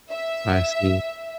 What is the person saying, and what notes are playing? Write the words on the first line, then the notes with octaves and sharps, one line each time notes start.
I see.
E5